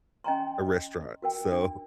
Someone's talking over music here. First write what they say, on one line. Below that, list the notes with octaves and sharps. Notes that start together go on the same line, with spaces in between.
a restaurant. so,
C#4 D#5 G5 G#5 A#5 C6
F#4 A#4 G5
D4